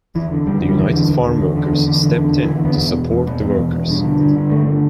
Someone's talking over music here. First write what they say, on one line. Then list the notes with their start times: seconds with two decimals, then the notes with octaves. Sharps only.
The United Farm Workers stepped in to support the workers.
0.15 E2 E3
0.31 D3
0.46 E2 G3
0.62 D3
0.69 G3
0.78 E2 E3
0.93 D3
1.09 E2
1.24 D3
1.40 E2
1.56 D3
1.71 E2
1.87 D3
2.02 E2 D3
2.17 D3
2.33 E2
2.44 E3
2.49 D3
2.64 E2 B3
2.80 B2
2.96 E2
3.11 B2
3.27 E2 B3
3.42 B2
3.57 E2
3.73 B2
3.89 G2
4.05 D3
4.20 G2
4.36 D3
4.51 G2 A3
4.67 D3